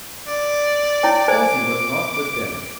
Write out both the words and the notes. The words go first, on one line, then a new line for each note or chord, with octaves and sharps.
Halsey was not with them.
D5
E4 C#5 G5
C5 D5 G#5 D6